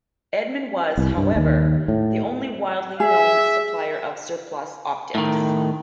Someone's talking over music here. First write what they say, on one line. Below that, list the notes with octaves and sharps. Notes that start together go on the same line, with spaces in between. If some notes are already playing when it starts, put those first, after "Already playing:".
Edmund was, however, the only widely known supplier of surplus optics.
C2
G2
D#2
A2
G#4 E5
A2 D#3